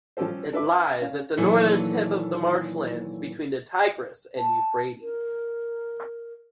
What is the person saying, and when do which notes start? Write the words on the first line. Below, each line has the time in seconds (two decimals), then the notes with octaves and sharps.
It lies at the northern tip of the marshlands between the Tigris and Euphrates.
0.17 F3 G3 C#4 G4 A4 C5
0.53 D4 A4 B4 E5 D6
1.01 C#4 F5
1.37 D#2 A#2 E3 F#3 A4 G#5
4.38 A5
5.02 A#4